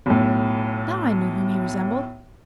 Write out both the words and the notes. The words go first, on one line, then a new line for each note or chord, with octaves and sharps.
Now I knew whom he resembled.
B1 A2